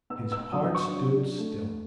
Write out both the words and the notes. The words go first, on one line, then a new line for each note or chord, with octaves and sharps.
His heart stood still.
B3 E6
B3 E6
F#3 D#6
D4 C#6
F#3
D4
A3
A3